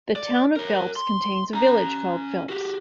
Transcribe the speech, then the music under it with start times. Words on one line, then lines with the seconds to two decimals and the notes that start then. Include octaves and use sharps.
The Town of Phelps contains a village called Phelps.
0.16 D5
0.56 A#4 C#5
0.96 C6
1.54 C#4 A#5
2.49 F#4 G4